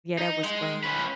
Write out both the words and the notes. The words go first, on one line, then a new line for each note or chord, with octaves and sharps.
yeah, that was fun,
D#4
G#3
C#4 B4